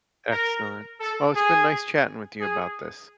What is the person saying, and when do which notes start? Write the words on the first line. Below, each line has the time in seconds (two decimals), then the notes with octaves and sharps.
Excellent. Well, it's been nice chatting with you about this.
0.31 A#4
1.01 A4
1.36 G#4
2.40 G#4